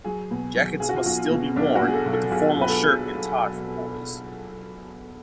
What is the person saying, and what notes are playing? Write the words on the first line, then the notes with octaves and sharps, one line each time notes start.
Jackets must still be worn, with a formal shirt and tie for boys.
F#3 G#4
B2
F#3
B1 G#4
F#4
F4
B1 F#4
F4
B2
B1 D4
F#4
B2
G#4
A4
B1
A4
B1 G#4
B1 B4
A4